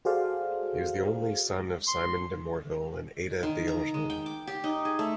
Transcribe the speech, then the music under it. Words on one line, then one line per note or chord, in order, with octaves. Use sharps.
He was the only son of Simon de Morville and Ada d’Engaine.
F#4 G#4 A4 C5 D5 F5
C6
D#3
A#5
G#3
G5
D6
G4
D#4
G#4
A3